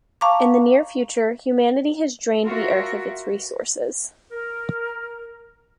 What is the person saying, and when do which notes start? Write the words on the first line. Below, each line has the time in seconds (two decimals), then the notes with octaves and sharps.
In the near future, humanity has drained the earth of its resources.
0.21 F5 A5 A#5 C#6 D6
2.44 F4 F#4 A#4 E5
4.31 A#4